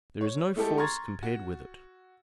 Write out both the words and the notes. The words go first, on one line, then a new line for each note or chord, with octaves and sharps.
There is no force compared with it.
C#5
G#3 A3 E4 G4 A4
A#5 C6 C#6 G#6 A6
F#4